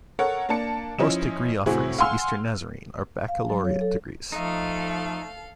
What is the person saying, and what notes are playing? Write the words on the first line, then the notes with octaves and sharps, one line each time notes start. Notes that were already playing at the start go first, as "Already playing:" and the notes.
Most degree offerings at Eastern Nazarene are baccalaureate degrees.
A4 A#4 C#5 F#5
A#3 D4 A5 C#7
F3 C#4 E4 D#5 E7
A2 C3 C4 E4 F#4 G#4
F5 F#5 G#5 C6 E6 F6
F5
F#3
C#5
A4
F3 A3 D#4 A4 F5